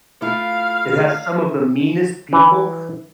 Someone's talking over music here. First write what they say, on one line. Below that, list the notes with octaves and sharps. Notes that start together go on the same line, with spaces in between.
It has some of the meanest people,
A3 E4 F4 F5
E3